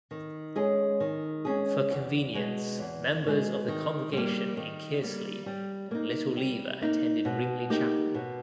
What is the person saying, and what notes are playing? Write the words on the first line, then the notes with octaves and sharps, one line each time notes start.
For convenience, members of the congregation in Kearsley and Little Lever attended Ringley Chapel.
D#3
G#3 C#4 G#4
D#3
G#3 C#4 G#4
E2
B2 G#3
E2
B2 G#3
D#3
G3 A#3
D#3
G3 A#3
G3
A#3 D#4
G3
A#3 D#4
B2
A#3 D#4 G4
B2